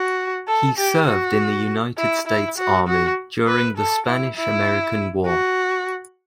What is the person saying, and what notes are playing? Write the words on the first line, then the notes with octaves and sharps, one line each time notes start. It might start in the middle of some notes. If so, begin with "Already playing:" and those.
He served in the United States Army during the Spanish-American War.
Already playing: F#4
A4
G4
F#4
E4
E4
F#4
F#4
B4
A4
E4
E4
F#4